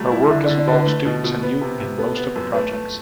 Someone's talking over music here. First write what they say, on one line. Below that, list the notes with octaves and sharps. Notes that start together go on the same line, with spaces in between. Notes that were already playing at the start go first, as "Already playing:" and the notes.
Her work has involved students and youth in most of the projects.
Already playing: F#3 G3 A3
E4
D3 E5
D5
D3
D5
D3
B4
A3
B2
B2
B3
C3
C3
B3 A4
B3
F#2
A3 B4
A3